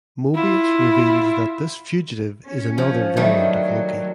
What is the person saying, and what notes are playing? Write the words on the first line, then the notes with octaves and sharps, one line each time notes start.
Mobius reveals that this fugitive is another variant of Loki.
E4 F4
C#4
F3
D#3 F#3 G3 A3